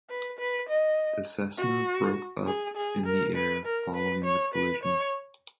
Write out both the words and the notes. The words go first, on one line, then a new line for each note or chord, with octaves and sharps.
The Cessna broke up in the air following the collision.
B4
B4
D#5
F#4
G#4
G#4
A#4
B4
A#4
B4
C#5
B4
C#5